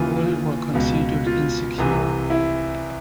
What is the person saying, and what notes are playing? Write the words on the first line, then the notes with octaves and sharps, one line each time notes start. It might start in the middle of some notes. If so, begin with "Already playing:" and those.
All were considered insecure.
Already playing: D#2 C#3 E3 F4
C#2 B2
F4
C2 C3 E3
E4